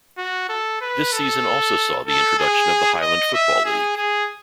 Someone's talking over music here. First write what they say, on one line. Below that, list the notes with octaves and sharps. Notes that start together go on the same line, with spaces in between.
This season also saw the introduction of the Highland Football League.
F#4
A4
B4
A4
A4
G#4
D#5
E5
G#4
G#4